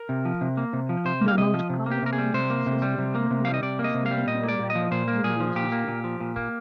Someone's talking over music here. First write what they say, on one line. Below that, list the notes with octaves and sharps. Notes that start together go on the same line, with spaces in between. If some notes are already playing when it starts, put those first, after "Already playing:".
The most commonly used system of numerals is the Hindu-Arabic numeral system.
Already playing: A#4
C3
F3
C3
A#3
C3
F3
C3 C5
A#3
F5
C3 D#5
F3
C3
A#3
G4
C3 A#4
G#4
G3
C3 C5
A#3
C3
G3
C3
A#3
C3
G3 F5
D#5
C3 D5
A#3
D#5
C3
F5
G3
A#2 D#5
A#3 D5
A#2
D#5
F3
A#2 C5
A#3
A#2 G#4
F3
A#2 G4
A#3
A#2
F3
A#2
A#3